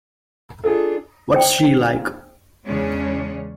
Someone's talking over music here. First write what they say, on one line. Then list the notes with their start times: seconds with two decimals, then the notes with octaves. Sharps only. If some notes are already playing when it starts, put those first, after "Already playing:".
What's she like?
0.64 D4 D#4 F4 G#4 A4
1.33 C5 G5
2.65 E2 C#3 G#3 C#4 D4